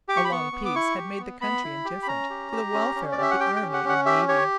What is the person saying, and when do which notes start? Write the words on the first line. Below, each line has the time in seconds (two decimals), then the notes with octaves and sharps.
A long peace had made the country indifferent to the welfare of the Army and Navy.
0.08 G4 D6
0.17 C#6
0.25 B5
0.31 B3 C#6
0.53 B3
0.65 D6
0.75 E4 C#6
0.98 G4
1.19 B3
1.41 B3 B5
1.64 E4
1.85 G4
2.02 B5
2.07 C#4 A#5
2.30 G4
2.52 G4
2.74 C#4
2.95 C#4
3.12 D5
3.18 G4 E5
3.31 F#5
3.40 G4 G5
3.56 G5
3.62 C#4
3.73 F#5
3.84 C#4 F#5
4.06 G4 E5
4.28 G4 C#5